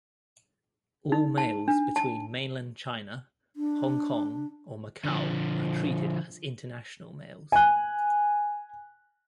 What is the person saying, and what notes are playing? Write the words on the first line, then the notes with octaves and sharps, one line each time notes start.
All mails between Mainland China, Hong Kong or Macau are treated as international mails.
D#4
A5
D4
A5
D4
D3 F3
G#5 F#6